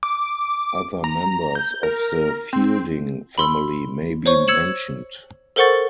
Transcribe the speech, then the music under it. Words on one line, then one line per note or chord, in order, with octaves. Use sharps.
Other members of the Feilding family may be mentioned.
D6
A#5
G6
A#4
C4
B5 C6 E6
C5 C#5 C#6
E6 G#6 C#7 E7 F#7
A4 A#4 C5 F#5 C#6 A6